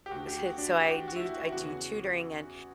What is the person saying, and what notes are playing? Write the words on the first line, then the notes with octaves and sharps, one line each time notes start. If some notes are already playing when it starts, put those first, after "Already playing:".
d s so I do I do tutoring. And,
G4
D2 D3 F#4
G4
F#4
D4
G4
F#4
F#4
E4
F#4
E2 C#3 E3 F#4